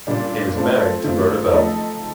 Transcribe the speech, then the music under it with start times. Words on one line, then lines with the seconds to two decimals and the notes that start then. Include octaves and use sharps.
He was married to Rhoda Bell.
0.07 A#2 G3 D4
0.55 A3 C4 F4 A4
1.03 D#3 A3 C4 F4
1.51 F3 A3 D#4 A4 D#5